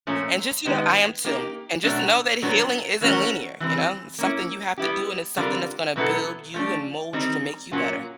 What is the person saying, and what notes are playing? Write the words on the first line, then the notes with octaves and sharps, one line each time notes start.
And just, you know, I am too. And just know that healing isn't linear, you know? It's something you have to do, and it's something that's gonna build you and mold you to make you better.
A#2 F3 A3 C#4
D#3 G#3 B3 D#4 G4
A#3 D#4 G4
B2 F#3 A3 D4
A#2 F#3 B3 D4
E3 A3 C#4 F#4 A#4
E3 G3 C4
A#3 C#4 E4
G3 B3 E4 G4
D3 G3 C4 F4 A#4
B2 F#3 B3 E4 A4
F3 A3 D4
D#3 G3 C4 D#4
A#2 F#3 A#3 C#4 F4